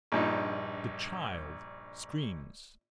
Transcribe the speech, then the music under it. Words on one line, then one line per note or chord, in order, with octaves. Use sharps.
The child screams.
A#1 G2 D#4